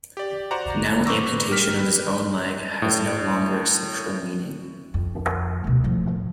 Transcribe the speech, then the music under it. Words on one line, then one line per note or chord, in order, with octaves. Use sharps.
Now amputation of his own leg has no longer a sexual meaning.
G4 D5
F#4 C5 D5 F#5 A#5
B4 C5 C#6 D6 E6 A#6
G3 A#4 F6 B6
G4 B4
A2
F2
D2 B2
A2 F3